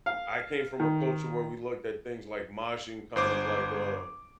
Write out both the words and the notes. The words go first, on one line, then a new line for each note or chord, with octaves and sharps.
I came from a culture where we looked at things like moshing kind of like, uh
F5
D#3
G1 C5 D6